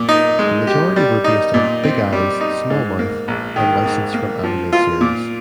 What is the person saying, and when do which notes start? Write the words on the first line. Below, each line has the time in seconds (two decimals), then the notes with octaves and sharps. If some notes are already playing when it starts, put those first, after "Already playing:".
The majority were based on "Big Eyes, Small Mouth" and licensed from anime series.
Already playing: A#2
0.09 D#4
0.39 G#3
0.67 G4
0.96 G3
1.24 D#4
1.54 A#2
1.83 C4
2.12 G3
2.41 D#4
2.70 G#2
2.99 A#3
3.28 A#1
3.56 D#3
3.86 G#2
4.14 A#3
4.43 F3
4.73 F4
5.01 A#2